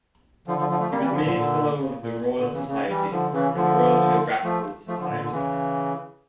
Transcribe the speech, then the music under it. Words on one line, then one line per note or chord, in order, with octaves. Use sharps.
He was made fellow of the Royal Society and the Royal Geographical Society.
D3 F3
D3 F3
D3 F3
F3 A3
G3 A#3
E3 G3
D3 F3
A#2 D3
A#2 D3
C#3
A#2
A#2 D3
C#3 E3
C#3
E3 G3
D3 F3
C#3 E3
D3 F3
F3 A3
F3 A3
D3 F3
A#2 D3
A#2 D3
C#3 E3